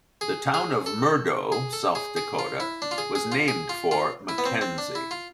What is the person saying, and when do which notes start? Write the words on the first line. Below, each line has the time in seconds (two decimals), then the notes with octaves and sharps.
The town of Murdo, South Dakota was named for Mackenzie.
0.21 G#4
0.54 G#4
0.86 A4
1.52 G#4
1.73 A4
1.95 G#4
2.16 G#4
2.39 F4
2.60 E4
2.82 D4
2.91 F4
2.98 G#4
3.15 G#4
3.32 F4
3.48 G#4
3.69 F4
3.91 F4
4.29 E4
4.38 B3
4.46 C4
4.61 C4
4.78 D4
4.95 E4
5.11 F4